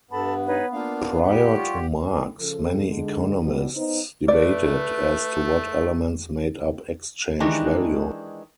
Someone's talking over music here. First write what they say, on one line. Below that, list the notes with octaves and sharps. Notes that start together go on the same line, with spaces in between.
Prior to Marx, many economists debated as to what elements made up exchange value.
G2 B3 A4 A5 B5
D#4 B4 C#5
A#3 D4 F4 F5
G3 G4 F#5
F4 C#5
C#3 F3 A4
D3 G#3
B2 G3
B3 D#4 C5
A3 B4 D5
D#3 E3 G#3 D4 D#4 G4